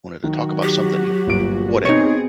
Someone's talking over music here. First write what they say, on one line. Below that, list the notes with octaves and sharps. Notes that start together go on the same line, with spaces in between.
wanted to talk about something, you whatever.
D#3 F#3 F#4
G4
G1 A#2 D7
B2 C4 D#4 G#4 C#5 C#7